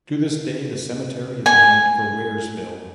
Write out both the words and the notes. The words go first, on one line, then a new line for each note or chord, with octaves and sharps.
To this day the cemetery is named for Waresville.
G#5